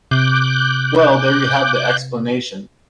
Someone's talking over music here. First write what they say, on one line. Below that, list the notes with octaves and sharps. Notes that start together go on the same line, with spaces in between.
Well, there you have the explanation.
C3 D6 F#6 G6